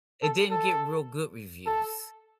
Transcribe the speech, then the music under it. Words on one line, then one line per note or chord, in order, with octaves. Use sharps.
It didn't get real good reviews.
A4
A4
A4